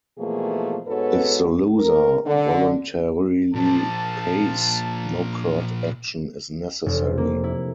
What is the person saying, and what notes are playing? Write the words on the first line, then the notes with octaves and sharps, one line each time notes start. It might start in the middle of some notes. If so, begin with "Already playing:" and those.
If the loser voluntarily pays, no court action is necessary.
B2 E3 F3 A3 A#3 G#4
G#2 B3 F#4 A4 B4 C#5
A#4
D3
A#2 F3 A5
F1
A#3
E4